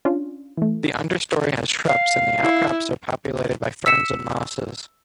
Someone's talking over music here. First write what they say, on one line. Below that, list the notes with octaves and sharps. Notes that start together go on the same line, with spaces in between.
The understory has shrubs and the outcrops are populated by ferns and mosses.
C#4 D4 F4
E3 A3
F5
E4
E6 B6 C#7 E7